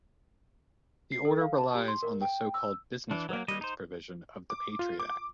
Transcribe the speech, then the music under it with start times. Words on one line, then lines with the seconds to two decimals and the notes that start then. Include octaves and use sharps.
The order relies on the so-called "business records" provision of the Patriot Act.
1.12 C7
1.25 A4
1.41 F5
1.58 A5
1.75 G4
1.88 C6
2.03 A#4
2.22 G5
2.54 E6
3.11 E3 D4
3.29 F#3 A#3
3.48 G3 D#5
3.61 D#4 C5
4.50 D6
4.79 F4
5.00 D6